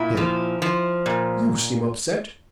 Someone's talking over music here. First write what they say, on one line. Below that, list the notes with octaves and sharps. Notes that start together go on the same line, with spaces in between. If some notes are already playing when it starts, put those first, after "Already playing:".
HIM: You seem upset.
Already playing: A#2 E4
F3
F3
A#2